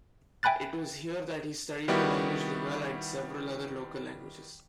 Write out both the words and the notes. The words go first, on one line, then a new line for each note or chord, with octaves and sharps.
It was here that he studied the language Lingala and several other local languages.
E5 G5 G#5 B5 F#6 A6
D#3 G3 B3 E4 F#4 G4